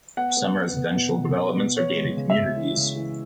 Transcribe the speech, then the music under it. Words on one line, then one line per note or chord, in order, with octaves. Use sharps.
Some residential developments are gated communities.
B3 F#5
B3
B3
B3
B2
B2
B3
B2
B3 C#5
G#3
C#3
E5
G#3
E3
C#3
E3